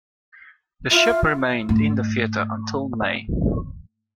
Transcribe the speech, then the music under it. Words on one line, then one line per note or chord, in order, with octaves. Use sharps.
The ship remained in theatre until May.
E4 F4
G#2 A3